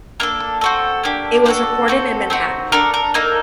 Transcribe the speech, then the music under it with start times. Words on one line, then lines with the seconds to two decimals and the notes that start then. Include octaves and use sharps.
It was recorded in Manhattan.
0.20 A#3 D4 A4 A#4
0.61 C4 F#4 A4
1.04 A#3 D4 G4
1.46 D4 F#4 A4 C5
1.88 C4 F#4 A4
2.30 C4 D#4 F#4
2.72 D4 A4 A#4
2.94 A#4
3.14 A#3 D#4 A4 A#4